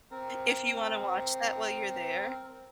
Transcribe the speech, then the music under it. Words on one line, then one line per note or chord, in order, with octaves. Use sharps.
if you wanna watch that while you're there.
C4 A#4